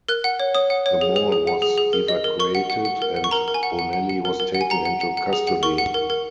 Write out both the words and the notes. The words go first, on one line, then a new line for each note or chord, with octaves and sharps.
The mall was evacuated and Bonelli was taken into custody.
A#4 F#6
F#5
C#5
C#5 D#6
F#5
C#5
G#4
G#4
G#4
F#5
G#4
G#4
A#4
D#5
A#4
A#4 C#6
F#5
F#5
F#5
A#4
F#5
C#6
A#4 A#5
A#4
G#5
F#5
F#5
F#5
F#5
A#4
A#4
F#5
G#5
F#5 A#5
F#5
F#5
F#5
G#4
F#5
A#4 C#6
F#5
A#4
A#4